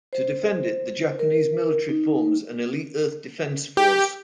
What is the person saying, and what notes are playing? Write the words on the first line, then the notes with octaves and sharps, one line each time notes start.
To defend it, the Japanese military forms an elite Earth Defense Force.
C5
A#4
D#4
G4